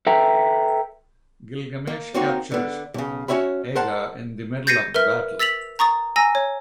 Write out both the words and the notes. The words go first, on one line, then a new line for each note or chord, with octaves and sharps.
Gilgamesh captures Aga in the middle of the battle.
A4 B4 E5 G5 A#5
A#3
A#3 C4 D#4 F#4 C#5
D3 B3
B1 C#3
C#4 F#4 C#5 E5 B5
A#4 C5 F#5 A5
G6 A6 A#6 C7 C#7 D#7
A#4 B4 E5 F6
E6 A6 B6 F7 F#7
A#5 C#6 D#6 A6
G#5 A#5 E6 A#6
C#5